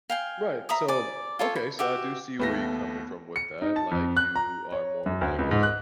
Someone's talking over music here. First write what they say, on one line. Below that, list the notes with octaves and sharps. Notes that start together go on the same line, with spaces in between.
Right, so Okay, so I do see where you're coming from with that, like, you are more of like a
F5 G5 G#5
E5 A#5 B5 D#6
D5 G#5 D6
F4 A4 C#5
B5
F#4 G4 E5
D#2 A3 B3 A#6
C#7
D#4
A5
F2
F#6
A#5
C#5
F#2
D2
C#2
G#2
F#6